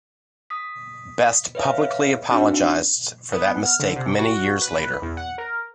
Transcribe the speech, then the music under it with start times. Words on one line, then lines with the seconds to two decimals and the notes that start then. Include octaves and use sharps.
Best publicly apologized for that mistake many years later.
0.50 D#6 B6
1.55 B4 C#5 E5 F5
2.31 C4 D4 D#4 F#4
3.32 B3
3.65 F6
3.80 D3
3.96 C3
4.19 F#4
4.62 B4
5.02 E2
5.17 F#5
5.38 A#4